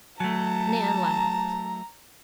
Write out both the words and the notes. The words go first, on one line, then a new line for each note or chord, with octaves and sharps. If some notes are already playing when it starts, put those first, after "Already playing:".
Nan laughed.
F#3 A3 A5 A#5